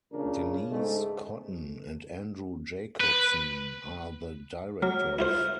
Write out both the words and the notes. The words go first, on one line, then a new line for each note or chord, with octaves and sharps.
Denise Cotton and Andrew Jacobsen are the directors.
A#1 C#3 D4 A#4
G#2 A3
B4
F#3 F6
E4 F4 C5